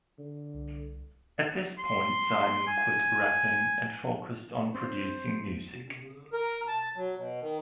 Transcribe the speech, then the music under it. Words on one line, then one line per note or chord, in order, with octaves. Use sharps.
At this point, Simon quit rapping and focused on producing music.
D3
C2
C6
G#5
C4 C5
A#4
A5
F#3
B2
D#3